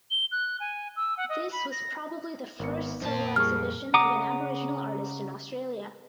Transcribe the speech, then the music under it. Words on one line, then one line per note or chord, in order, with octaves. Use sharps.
This was probably the first solo exhibition of an Aboriginal artist in Australia.
G7
F#6
G#5
E6
F#5
D#5
B5
A#6
G#1 B3 A#4 C#7
F2 A#2 A#3 C5 A5
G3 G#4 C#6 F6
C#3 F#5 A#5 D6 D#6